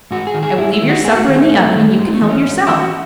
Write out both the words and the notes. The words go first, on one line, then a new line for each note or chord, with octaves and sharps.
I will leave your supper in the oven and you can help yourself.
G#2 F#4
G#4
D#3
G#4
G#2 E4
E4
D#3
F#4
G#2 G#4
F#4
D#3 G#4
B3
A3
G#2
D#3
G#2 G#3
A3
E3
C#4
G#2
E3 E4
F#4